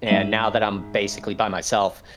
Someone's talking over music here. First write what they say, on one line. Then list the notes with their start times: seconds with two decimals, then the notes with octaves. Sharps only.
and now that I'm, basically by myself,
0.06 G#2 E5 D#7 F#7